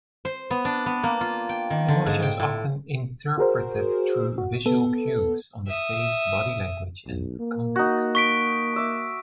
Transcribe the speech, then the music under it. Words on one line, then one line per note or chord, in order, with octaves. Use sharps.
Emotion is often interpreted through visual cues on the face, body language and context.
C5
B3
D4
B3
A#3
F4
G5
D#3
D3
G#2
G5
A2
F#4 G#4 A#4 C5
F#4
B3 A4
E5 D#6
B1
A#3
D#4 F#4
C#6 B6 D7
E5 D6